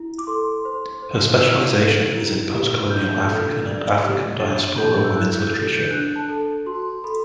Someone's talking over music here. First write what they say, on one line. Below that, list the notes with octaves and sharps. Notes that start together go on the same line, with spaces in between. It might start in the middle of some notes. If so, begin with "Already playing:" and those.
Her specialization is in postcolonial African and African Diaspora women’s literature.
Already playing: E4
D6
A4 C6
C5
C5
E4 E6
A4
E4
G4
D4 G6
A4
D5
G4
D4 A6
A4 G6
E6
E4 F#6
G6
A4 A6
G6
D4 F#6
A5
A4
F#4 C6
A4 B5